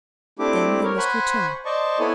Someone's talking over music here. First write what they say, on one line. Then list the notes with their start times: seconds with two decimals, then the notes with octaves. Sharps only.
Then they must return.
0.39 A3 C4 D4 E4 G4 D6
0.84 A#4 C#5
0.97 C5 F#5 G#5 B5 C#6
1.65 C5 D5 D#5 A5 C#6
2.00 B3 E4 A4 C#5 G#5